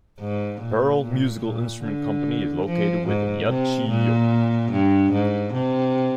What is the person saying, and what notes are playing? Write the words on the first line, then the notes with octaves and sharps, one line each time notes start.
Pearl Musical Instrument Company is located within Yachiyo.
G#2
A#2
A#2
A#2
D3
F3
G#2
C3
A#2
G2
G#2
C3